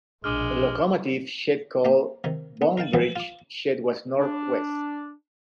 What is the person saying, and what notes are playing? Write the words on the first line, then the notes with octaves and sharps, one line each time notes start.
A locomotive shed called Bonnybridge Shed was north west.
A#1 B2 G#3 D4 D6 D#6 F6
A#3 G4
C3 D#3
B3
A#4 F5 G5 A5
B2 E3 F3 G3 B3 C4
F4 D6
D4